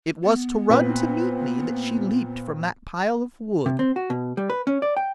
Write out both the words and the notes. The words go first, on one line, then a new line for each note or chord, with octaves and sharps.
"It was to run to meet me that she leaped from that pile of wood."
B3
A#2 C4 B4
C3
C4
F#4
B2
G3
B4
C#4
D5
G5